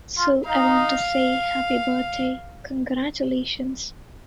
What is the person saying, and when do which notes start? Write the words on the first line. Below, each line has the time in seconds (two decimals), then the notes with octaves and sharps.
So I want to say, Happy birthday, congratulations.
0.18 F4
0.46 D#4 F5